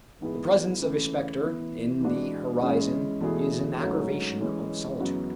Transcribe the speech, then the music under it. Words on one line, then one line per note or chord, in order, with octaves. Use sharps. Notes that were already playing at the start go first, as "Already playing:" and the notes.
The presence of a spectre in the horizon is an aggravation of solitude.
G#2 E3 B3 E4 G#4
C#3 E3 A3
E3 B3 E4
E3 G#3 D4 F#4
E2 C#3 G#3 C#4 E4
E2 B2 A3 E4 G#4
G#2 F#3 A3 C#4
E3 G#3 C#4
F#2 C#3 E3 B3 F#4